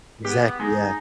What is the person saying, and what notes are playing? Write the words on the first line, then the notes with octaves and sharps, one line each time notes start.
Exactly, yeah.
B3 G4
G#3 D#4